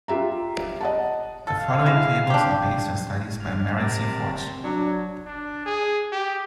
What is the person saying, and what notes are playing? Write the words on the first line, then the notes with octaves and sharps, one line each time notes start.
The following tables are based on studies by Marron C. Fort.
F4 G4 E5 A#5
D#5 F#5 A5
A4 F5
G#3 E4
D4 G4
G2 F6
C3 A#4 D5 A5
F#3 D4 C#5
D4
G#4
G4